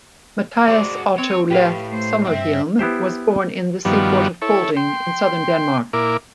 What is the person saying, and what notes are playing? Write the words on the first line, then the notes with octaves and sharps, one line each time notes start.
Mathias Otto Leth Sommerhielm was born in the seaport of Kolding in southern Denmark.
G#3 F#4 C5 D5
C4 C#5
A2 G4 B4 F5
A3 C5
G2 C4 E5
B3 E4 G4 C5
G2 D#3 F3 G3 B3 F#4
E4 A4 C#5
G5 C6
A#2 E4 A#4 D6